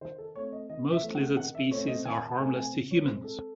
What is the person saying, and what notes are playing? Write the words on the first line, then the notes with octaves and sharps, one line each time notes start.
Most lizard species are harmless to humans.
D#3 C5
A4
A3 C4 C#5
D#5
D#3 D#5
E5
A3 C4
F#5
D#3 F#5
E5
A3 C4 C#5
D#5
D#3 G#5
A5
A3 C4 G#5
G#5
C#3
C#5
G#3 C4 C5
A4